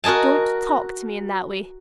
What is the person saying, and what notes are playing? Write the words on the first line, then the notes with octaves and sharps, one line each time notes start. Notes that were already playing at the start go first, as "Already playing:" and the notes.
Don't talk to me in that way.
F#4 A#4 D#5 G#5 A5